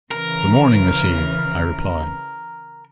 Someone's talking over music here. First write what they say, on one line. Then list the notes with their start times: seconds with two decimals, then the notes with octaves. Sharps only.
"Good morning, Miss Eve!" I replied.
0.11 C#3 E3 A#4